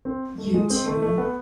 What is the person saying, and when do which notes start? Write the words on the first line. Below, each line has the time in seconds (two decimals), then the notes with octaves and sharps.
You too.
0.05 C4
0.38 A3
0.54 G#3
0.70 C4
0.86 A3
1.02 A3
1.18 B3